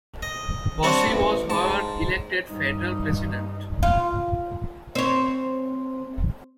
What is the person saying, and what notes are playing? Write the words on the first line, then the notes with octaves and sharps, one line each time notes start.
Bossi was however elected federal president.
D#5
G3 C4 D4 F#4 C5 C#5
A1
G#2 A5
G2 D#4
F4
C4 C#5